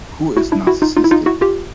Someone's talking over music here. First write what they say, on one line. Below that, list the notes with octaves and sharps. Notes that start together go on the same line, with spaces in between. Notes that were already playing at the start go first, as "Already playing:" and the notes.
Who is narcissistic?
E4 F#4
D4 E4
E4 F#4
D#4 F4
D#4 F4
E4
D#4 F4
E4 F#4
F4 G4